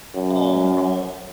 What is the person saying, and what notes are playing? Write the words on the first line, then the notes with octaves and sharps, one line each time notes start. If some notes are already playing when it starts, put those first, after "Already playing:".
Oh, no.
F#2